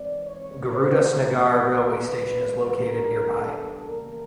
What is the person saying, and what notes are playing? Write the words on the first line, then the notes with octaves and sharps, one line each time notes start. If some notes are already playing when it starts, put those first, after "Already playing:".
Gurudas Nagar railway station is located nearby.
Already playing: G#2 E3 G#3 C4 D5
C#5
D3 F3 A3 C5
D#3 G3 A#3 B4
B2 G3 B3 D4 A#4
A4
C#3 E3 G3 A#3 A#4